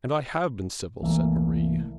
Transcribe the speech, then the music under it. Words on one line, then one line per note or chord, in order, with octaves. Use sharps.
'And I have been civil,' said Marie.
C2 E3 A3 A#3